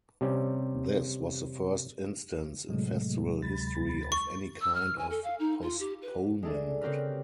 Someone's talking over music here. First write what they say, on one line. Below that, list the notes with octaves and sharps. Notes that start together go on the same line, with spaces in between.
This was the first instance in festival history of any kind of postponement.
C3 G3 C#4
A2 C3 F#3 G#3 A3
D2 B5 A6
C#6
E6
F6
G#5
A4
F5
D#4
F4
G4
B4
G#3 A3 D4
C#3 C4 G4 A#4 B4